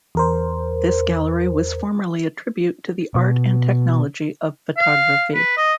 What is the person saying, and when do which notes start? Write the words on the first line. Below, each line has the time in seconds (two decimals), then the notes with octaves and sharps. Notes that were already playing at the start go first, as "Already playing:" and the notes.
This gallery was formerly a tribute to the art and technology of photography.
0.15 E2 A#4 C5
3.15 B2
4.77 F5
5.35 B4
5.57 D#5